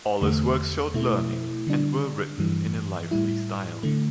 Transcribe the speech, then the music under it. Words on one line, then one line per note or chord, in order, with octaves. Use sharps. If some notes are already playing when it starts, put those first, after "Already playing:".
All his works showed learning, and were written in a lively style.
E2 D3 A3
B2 A3 E4
D3 G3 D4
G2 E3 G3
A2 G3 E4
D3 A3